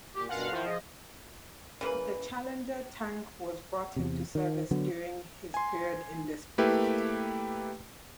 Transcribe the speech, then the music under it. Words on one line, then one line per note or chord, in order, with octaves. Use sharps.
The Challenger tank was brought into service during his period in this post.
A#2 G4
G2 B2 C#4 F4 A#4 F5 F#5
D#3 F3 E4 C5
G#4 D#5
C#3 E3 A#3 B4
E2 C3
D#3
D3 F#3 B3
G#5 C6
A3 A#3 E4 G4 B4 G5